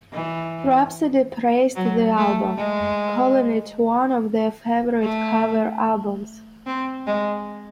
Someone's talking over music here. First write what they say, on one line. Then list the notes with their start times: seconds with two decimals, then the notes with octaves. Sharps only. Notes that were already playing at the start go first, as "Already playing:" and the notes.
Rhapsody praised the album, calling it one of their favorite cover albums.
0.13 E3
1.76 F#3
2.17 A3
2.57 G#3
5.02 A3
6.66 C4
7.07 G#3